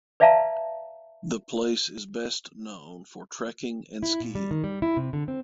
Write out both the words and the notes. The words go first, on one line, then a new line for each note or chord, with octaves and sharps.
The place is best known for trekking and skiing.
B4 D5 E5 F5 A5 A#5
E4
A#2
G3
D#3
G3
E4
C3
D3
C4